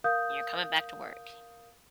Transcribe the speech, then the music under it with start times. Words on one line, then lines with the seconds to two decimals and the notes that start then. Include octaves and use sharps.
You're coming back to work.
0.04 A#4 F5 D#6 G6